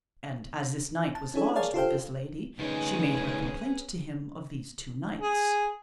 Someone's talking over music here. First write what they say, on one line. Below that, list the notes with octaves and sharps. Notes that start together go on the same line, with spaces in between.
And as this knight was lodged with this lady she made her complaint to him of these two knights.
A5
C#4 D4 E4 G#4 A4 C#5
G#4 A#4 C#5 D5 F5 A5
F4 G4 A4 C5 F5 G5
D2 C#4 D#4 G#4 B4
G#4